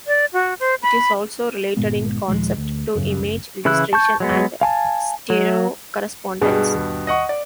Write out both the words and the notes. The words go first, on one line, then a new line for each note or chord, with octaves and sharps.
It is also related in concept to image registration and stereo correspondence.
D5
F#4
C5
B5
G1 A#2 G#3 B3
D#2 A#2 F3 G#3
D2
F#2 C#3
F#1
C#3 E3 E4 E6 F#6
A5 C#6 G6
F#3 G#3 B3
F5 G#5 A5
F#3
G2 B2 G3 G#4
D#2
D#5 F#5 C#6
D5